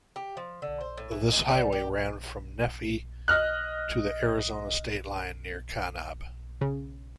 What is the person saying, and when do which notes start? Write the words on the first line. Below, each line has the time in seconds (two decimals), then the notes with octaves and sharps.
This highway ran from Nephi to the Arizona state line near Kanab.
0.16 G4
0.37 F3
0.62 D3
0.81 C5
0.98 A2
1.11 E3
1.32 G#3
1.49 G3
1.72 G4
3.28 D#5 F6 F#6
6.61 C#3